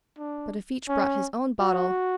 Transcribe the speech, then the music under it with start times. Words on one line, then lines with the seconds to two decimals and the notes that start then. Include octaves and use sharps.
But if each brought his own bottle . . .
0.19 D4
0.89 C#4
1.59 F#4